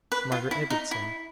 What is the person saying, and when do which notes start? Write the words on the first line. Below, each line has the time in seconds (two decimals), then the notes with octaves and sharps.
Margaret Ibbotson!
0.12 B4
0.32 F4
0.51 E4
0.70 D#4
0.91 E4